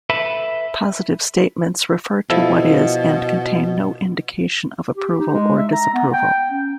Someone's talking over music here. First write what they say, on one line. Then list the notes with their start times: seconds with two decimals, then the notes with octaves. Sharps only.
Positive statements refer to what is and contain no indication of approval or disapproval.
0.10 A4 B4 E5 A5 B5
2.30 B2 F3 E4 A4
4.96 G4
5.19 D#4
5.34 G#3
5.58 E5
5.73 A#5
5.94 B3
6.13 G5
6.51 C#4